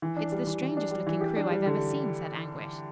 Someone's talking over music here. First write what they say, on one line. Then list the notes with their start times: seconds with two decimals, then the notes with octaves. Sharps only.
"It's the strangest-looking crew I've ever seen," said Anguish.
0.02 E3
0.17 D4
0.32 G3
0.47 E3
0.62 E3
0.77 D4
0.91 G3
1.07 E3
1.21 G4
1.36 D4
1.51 G3
1.66 D3